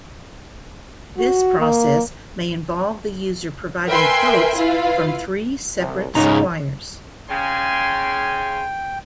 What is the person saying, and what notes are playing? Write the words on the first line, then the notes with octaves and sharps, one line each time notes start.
This process may involve the user providing quotes from three separate suppliers.
F#4
A#3
A#4 B4 E5 G5 G#5 C6
E4 F4 B4 F5
C2
C#2 G#2 C#3 D#4 A#5
C#3 G5 G#5 C6